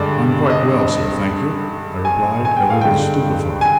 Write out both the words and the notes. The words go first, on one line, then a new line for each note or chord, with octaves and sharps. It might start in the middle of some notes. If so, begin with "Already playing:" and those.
"I am quite well, sir, thank you," I replied, a little stupefied.
Already playing: G2 D3 G#3 D5
D#5
G#5
G#5
G5
F5
G2 D3 G#3 G5
G#5